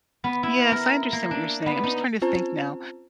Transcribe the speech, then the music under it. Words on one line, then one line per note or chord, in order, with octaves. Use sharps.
Yes, I understand what you're saying, I'm just trying to think now.
B3
E4
A#4
A#3
D4
B3
D#4
C4 C#4 F4 C5 A5 A#5